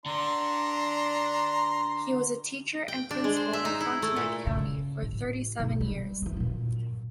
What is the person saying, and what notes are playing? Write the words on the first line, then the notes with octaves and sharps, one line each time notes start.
He was a teacher and principal in Frontenac County for thirty-seven years.
D3 D4 A#5 C6
G5
D4
G#3
C5
E5
D#4
E4
A3
A#2
C#3
A1
B1
G3
F2 E3
F#2 A#2